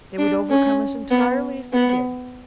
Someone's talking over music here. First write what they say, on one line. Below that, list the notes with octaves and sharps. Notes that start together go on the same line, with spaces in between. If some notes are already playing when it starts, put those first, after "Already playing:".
They would overcome us entirely if they did.
D4
C#4
B3
B3